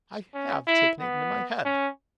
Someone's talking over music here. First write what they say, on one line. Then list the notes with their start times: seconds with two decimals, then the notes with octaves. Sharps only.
I HAVE taken it into my head.'
0.34 C#4
0.67 E4
1.01 B3
1.65 C#4